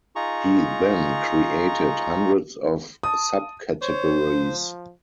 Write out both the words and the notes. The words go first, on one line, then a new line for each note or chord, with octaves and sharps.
He then created hundreds of subcategories.
D#4 F4 G#4 A#5 C#6
A5 D#6
C5 C#5
F3